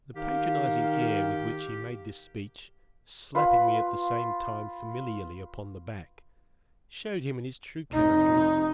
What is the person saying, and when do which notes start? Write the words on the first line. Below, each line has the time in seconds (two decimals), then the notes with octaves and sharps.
The patronizing air with which he made this speech, slapping me at the same time familiarly upon the back, showed him in his true character of egotist.
0.16 D#3 G4 F5
3.35 F4 B4
7.92 F1 D#4